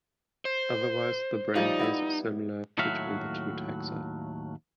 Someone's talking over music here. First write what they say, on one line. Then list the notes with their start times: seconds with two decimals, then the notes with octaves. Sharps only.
Otherwise the braincase is similar between the two taxa.
0.45 C5
1.55 F3 G3 D#4 D5
1.79 B3 E4 E5
2.78 D#2 A2 F#3 F#4 E5 F5